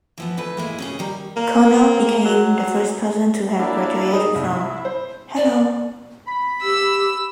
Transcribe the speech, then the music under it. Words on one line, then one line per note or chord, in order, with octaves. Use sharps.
Konno became the first person to have graduated from Hello!
E3 F3 B3
D2 E3 A3 B4
G#3 A#3 E4
C#3 C#4 G#4
D#3 G3 A#5
A#3
F#3
A#3 D4 E4
D#4 G#4
C2 E4
C5
D5
B5
G4 E6